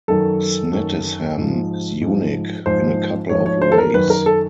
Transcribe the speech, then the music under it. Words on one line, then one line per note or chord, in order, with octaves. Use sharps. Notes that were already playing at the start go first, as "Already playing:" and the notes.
Snettisham is unique in a couple of ways.
F#2 D#3 F#3 A4
F#2 D#3 F#3
G#2 F3
G#2 F3
G#2 F3 C5
G#2 F3 C#5
C#5
C5
A4
A#4
F#2 D#3 F#3 B4
A#4
A4